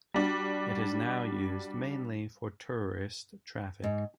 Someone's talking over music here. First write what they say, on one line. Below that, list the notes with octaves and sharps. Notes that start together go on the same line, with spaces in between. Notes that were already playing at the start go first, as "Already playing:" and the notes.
It is now used mainly for tourist traffic.
G3 D4 F#4
G#2